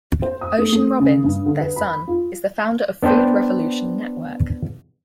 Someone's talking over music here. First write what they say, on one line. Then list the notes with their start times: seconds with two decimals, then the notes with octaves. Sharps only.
Ocean Robbins, their son, is the founder of Food Revolution Network.
0.22 C5
0.41 D#6
0.58 A3
0.72 A3
1.00 C#3
1.24 G2
1.46 D3
1.61 B4
1.76 B5
2.07 F4
3.03 B3 D4 C5 G5